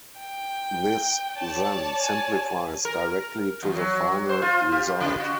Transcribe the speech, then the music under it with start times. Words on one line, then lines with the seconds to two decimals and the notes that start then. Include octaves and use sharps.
This then simplifies directly to the final result.
0.19 G5
1.38 C#5 D5 A5
2.00 G#5
2.85 A#4
3.63 E2
3.76 F#3
4.29 C5
4.42 F4
4.72 G4
5.00 C#3
5.20 F#4